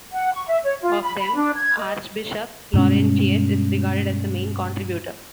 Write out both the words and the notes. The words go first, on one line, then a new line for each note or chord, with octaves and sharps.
Of them, Archbishop Laurentius is regarded as the main contributor.
F#5
C#6
E5
C#5
F4
B5
B5
D4
G#6
D#5
G2 B2 G#3 C#4